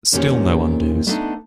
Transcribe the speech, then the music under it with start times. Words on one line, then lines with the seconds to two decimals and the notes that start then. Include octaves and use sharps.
Still no undos.
0.12 F2 A#2 D#3 A#3 C#4 G4
1.07 A3 B3 D4 D#4 A4